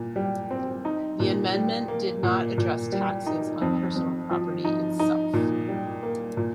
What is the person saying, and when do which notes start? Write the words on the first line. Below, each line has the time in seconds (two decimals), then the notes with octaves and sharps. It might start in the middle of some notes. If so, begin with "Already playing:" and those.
The Amendment did not address taxes on personal property itself.
Already playing: A#2
0.16 G3
0.51 C4
0.85 D#4
1.20 A#2
1.54 G3
1.88 A#3
2.23 A#2
2.58 A#2
2.92 G3
3.27 D#4
3.62 F2
3.96 F2
4.31 F3
4.65 D#4
5.00 D#4
5.34 A#2
5.68 G3
6.03 A#3
6.37 A#2